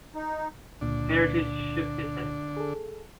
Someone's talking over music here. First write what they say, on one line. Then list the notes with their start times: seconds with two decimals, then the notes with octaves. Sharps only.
Heritage shook his head.
0.15 D#4
0.81 C#2 A#2 D3 D4
2.57 G#4 A4